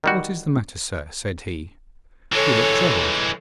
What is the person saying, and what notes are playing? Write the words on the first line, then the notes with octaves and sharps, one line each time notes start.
'What is the matter, sir, said he, 'you look troubled?'
D#3 G3 F#4
E3 G#3 A4 C#5